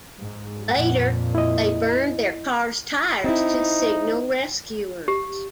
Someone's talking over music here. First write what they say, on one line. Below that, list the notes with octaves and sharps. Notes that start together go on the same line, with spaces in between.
Later, they burned their car's tires to signal rescuers.
G#2
F2 A#2 F#5
E4 D#5
C4 D#4 E4
G4